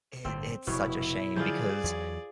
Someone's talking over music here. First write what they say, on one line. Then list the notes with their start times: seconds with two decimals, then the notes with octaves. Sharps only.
It it’s such a shame because,
0.25 G1 A2 D3 C4
0.67 F1 B2 E4 C#5
1.36 D3 F3 F#3 F4 G#4 C5 D5
1.84 E2 F#3